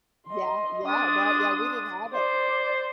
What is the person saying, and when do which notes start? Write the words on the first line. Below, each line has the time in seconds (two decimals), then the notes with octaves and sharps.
yeah yeah, right, yeah, we didn't have it.
0.28 D#5 C6
0.86 D4 C6 D#6
2.13 C5 D5